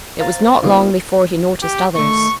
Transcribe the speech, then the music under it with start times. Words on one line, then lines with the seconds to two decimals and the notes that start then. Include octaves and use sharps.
It was not long before he noticed others.
0.20 C5 F5 A#5 C6 A6
0.62 G3 A#3 B3 D#4 F4
1.62 G4
1.95 D#3 A3 C#6